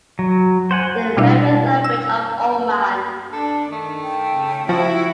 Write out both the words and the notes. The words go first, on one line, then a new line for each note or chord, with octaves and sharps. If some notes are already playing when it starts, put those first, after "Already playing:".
"The Mehri Language of Oman".
F#3
C5 F#5 G#5
B2 G3 D4 E4
E6
D4 A4
D#3 A3
G5
C#3
F3 E4 F#4